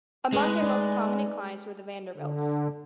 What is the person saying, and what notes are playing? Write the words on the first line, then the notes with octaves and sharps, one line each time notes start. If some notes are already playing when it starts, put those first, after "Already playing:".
Among their most prominent clients were the Vanderbilts.
G#3 A3 G#4 B4
D#4 D5
D3